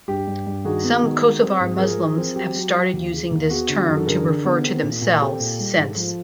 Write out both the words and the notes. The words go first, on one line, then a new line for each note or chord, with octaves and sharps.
Some Kosovar Muslims have started using this term to refer to themselves since.
G2 G4
G2
G2
D#3 F#4 G#4
B3
D#3
G#3
C4
G#2
F3 G#4 A#4
F3
C4
F#3 G4
F#3
F#3
D#2
C#3
D#2
B3 F#4 G#4
D3
F#2
A4
D3 G#4 A#4
D3
B3
C4
A#2
A#2
C4 G4 A4
A#2
G3
G#2
F3